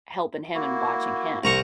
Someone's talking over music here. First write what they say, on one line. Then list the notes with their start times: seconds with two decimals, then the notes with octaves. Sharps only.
helping him and watching him.
0.54 A#3 E4 F#4
1.44 C2 A#5 C#6